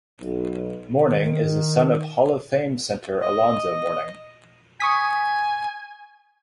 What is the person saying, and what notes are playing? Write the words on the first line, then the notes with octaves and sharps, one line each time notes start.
Mourning is the son of Hall of Fame center Alonzo Mourning.
B1
D#3
D#5
G#5 C#6 D#6 B6